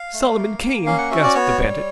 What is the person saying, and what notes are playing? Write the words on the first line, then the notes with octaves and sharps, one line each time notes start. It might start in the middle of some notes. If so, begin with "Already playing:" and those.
"Solomon Kane!" gasped the bandit.
Already playing: F5
A3
A#3
A#3
C#4 F5
F#5
F#4 E5
D5
B3 C#5
G3